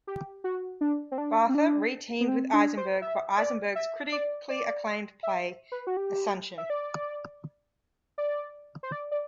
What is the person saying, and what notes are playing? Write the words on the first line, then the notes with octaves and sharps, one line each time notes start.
Bartha re-teamed with Eisenberg for Eisenberg's critically acclaimed play, Asuncion.
G4
F#4
D4
C4
D4
C4
D4
B3
C4
D4
C5
E5
D5
E5
D5
D5
E5
B4
F#4
G4
E5
D5
D5
C5
D5
D5